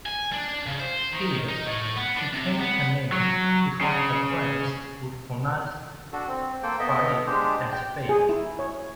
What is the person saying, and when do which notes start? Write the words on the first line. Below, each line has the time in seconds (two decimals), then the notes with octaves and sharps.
Here, she changed her name because her friends would pronounce "Phaik" as "fake".
0.06 G#5
0.32 D4
0.67 C#3
0.80 C5
1.12 D#3
1.49 D#4
1.66 A2
1.97 B3
2.17 D4
2.33 C3
2.59 B3
3.12 F#3
3.81 C#3
6.13 D4 F#4 A4
6.28 C4
6.63 A#3 A4 C5 G5
6.79 B3 A4 D#5 E5
7.27 G#3 D4 G4 C5
7.73 G5
8.09 G#4
8.29 E4
8.59 C#5